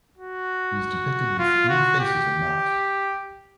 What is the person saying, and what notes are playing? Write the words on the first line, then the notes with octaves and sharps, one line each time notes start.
He is depicted with three faces and mouths.
F#4
F4
F#4
G4